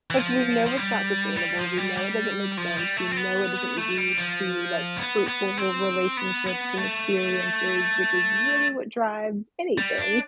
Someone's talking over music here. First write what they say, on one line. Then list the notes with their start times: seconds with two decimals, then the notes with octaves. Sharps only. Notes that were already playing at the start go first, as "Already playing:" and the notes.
Like, we know it's not sustainable. We know it doesn't make sense. We know it doesn't lead to, like, fruitful re relationships and experiences, which is really what drives anything.
0.10 E3
0.17 F3
0.66 F3
0.77 G3
1.37 G3
1.57 F3
1.77 G3
1.97 G3
2.57 F3
2.77 G3
2.97 A3
3.11 C4
3.17 B3
3.77 A3
3.98 G3
4.18 F3
4.98 B3
5.27 B3
5.57 C4
6.17 B3
6.47 B3
6.78 A3
9.78 G3
9.98 D4